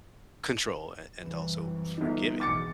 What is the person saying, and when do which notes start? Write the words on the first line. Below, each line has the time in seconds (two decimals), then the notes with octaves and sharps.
control an and also forgiving.
1.21 C2 F#2 E3
1.98 G1 D#4
2.40 G#1 E2 B2 D6 A6 C#7